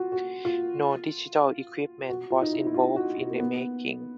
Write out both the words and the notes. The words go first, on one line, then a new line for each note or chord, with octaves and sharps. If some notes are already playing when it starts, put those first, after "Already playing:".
No digital equipment was involved in the making.
Already playing: F4 F#4
F#4
F4
F#4
F4
D#4
E4
E4
F4
F#4
F4
A#3
B3